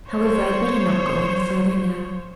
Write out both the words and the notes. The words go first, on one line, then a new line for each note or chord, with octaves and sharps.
However, I'd better not go any further now.
C5 C#5